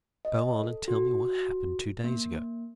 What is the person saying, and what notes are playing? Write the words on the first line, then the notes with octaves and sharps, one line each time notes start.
But go on and tell me what happened two days ago.
D#5
A4
F#4
A#3